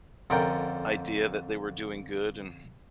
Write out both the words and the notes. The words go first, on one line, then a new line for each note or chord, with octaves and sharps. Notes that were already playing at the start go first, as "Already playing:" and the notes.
idea that they were doing good and
F2 D3 C#4 A#4 G5